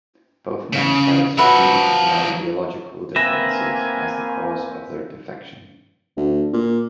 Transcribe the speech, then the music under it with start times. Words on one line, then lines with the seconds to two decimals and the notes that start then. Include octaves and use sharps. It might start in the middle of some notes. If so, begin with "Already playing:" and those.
Both men cited strategic and ideological differences as the cause of their defection.
0.73 C#3
1.38 F3 F#4 B4 C#5 E5
3.16 A#3 C4 B4 E5 G#5 E6 A#6
6.17 D2
6.53 A#2